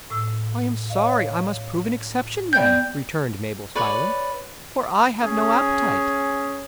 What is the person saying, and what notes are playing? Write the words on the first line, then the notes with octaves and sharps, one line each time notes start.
"I am sorry I must prove an exception, then," returned Mabel, smiling; "for I have no appetite."
A2 E6
C#5 D#5 F5
B3 D5 G5 G6
B4 C#5 D5
C#4 G#4